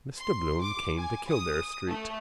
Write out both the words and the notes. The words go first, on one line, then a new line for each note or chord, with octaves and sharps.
Mr Bloom came to Kildare street.
C6
D6
G#5
D#6
A3